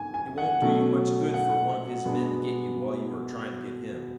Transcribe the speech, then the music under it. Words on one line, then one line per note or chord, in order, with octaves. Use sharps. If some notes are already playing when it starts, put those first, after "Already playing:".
"It won't do you much good for one of his men to get you while you are trying to get him!"
Already playing: G#2 G#5
G#5
F#5
B2 F#3 A3 C#4
F#5
B2 G#3 B3 D4